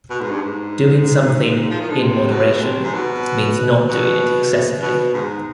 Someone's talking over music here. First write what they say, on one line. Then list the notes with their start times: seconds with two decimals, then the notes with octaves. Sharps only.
Doing something "in moderation" means not doing it excessively.
0.10 B2
0.21 G#2
0.31 G2
0.41 G#2
1.71 F3
1.80 D#3
1.90 D3
2.00 C3
2.31 B2
2.62 C3
2.84 G#2
2.94 B2
3.89 B2
4.82 B2
5.14 G#2